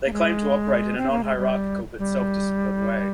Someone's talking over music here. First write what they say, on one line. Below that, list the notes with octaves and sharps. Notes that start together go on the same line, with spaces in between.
They claim to operate in a "non-hierarchical but self-disciplined way".
A#3
G#3
C4
A#3
G#3
G3
G3